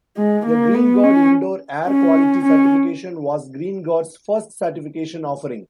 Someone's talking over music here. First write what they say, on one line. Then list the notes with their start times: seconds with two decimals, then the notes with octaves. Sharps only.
The Greenguard Indoor Air Quality Certification was Greenguard's first certification offering.
0.17 G#3
0.46 A#3
0.75 B3
1.03 C#4
1.88 C#4
2.45 C#4